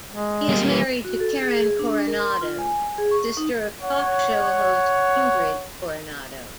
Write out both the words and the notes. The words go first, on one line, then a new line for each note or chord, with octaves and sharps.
He is married to Karen Coronado, sister of talk show host Ingrid Coronado.
G#3
G3 A#3
E3
F#4
A4
G#4
D4
A#4
C6
F4
G#5
G#4
C#6
D#4
C#5 F#5